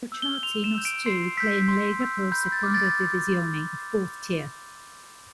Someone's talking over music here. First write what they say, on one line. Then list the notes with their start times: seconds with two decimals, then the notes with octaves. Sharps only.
Crociati Noceto play in Lega Pro Seconda Divisione, the fourth tier.
0.12 E6 G6
0.22 G7
0.43 C6 F7
0.64 E7
0.75 E6 G6
0.85 D7
1.06 C6 C7
1.37 E6 G6 B6
1.68 C6
2.01 E6 G6
2.32 B5 G6
2.52 A6
2.63 D6 F6
2.74 A6